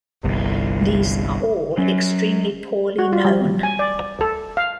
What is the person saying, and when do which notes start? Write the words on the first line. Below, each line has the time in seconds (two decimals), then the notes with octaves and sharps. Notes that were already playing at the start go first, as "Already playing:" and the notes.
These are all extremely poorly known.
0.24 G1 C2
1.78 F#3 C#4
2.99 F#4
3.13 F4
3.25 G3
3.63 G#5
3.79 D5
4.21 A4
4.57 F5